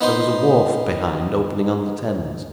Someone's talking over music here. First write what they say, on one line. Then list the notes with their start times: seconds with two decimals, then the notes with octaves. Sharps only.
There was a wharf behind, opening on the Thames.
0.01 B3 D#4 C5